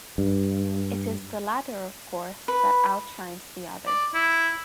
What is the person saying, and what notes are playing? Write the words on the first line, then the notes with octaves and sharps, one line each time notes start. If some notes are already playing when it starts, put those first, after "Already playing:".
It is the latter, of course, that outshines the others.
G2
B4
D5
E4